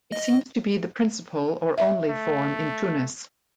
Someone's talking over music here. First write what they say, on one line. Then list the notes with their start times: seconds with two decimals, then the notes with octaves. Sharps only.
It seems to be the principal or only form in Tunis.
0.12 D#5
1.78 E5
2.09 A3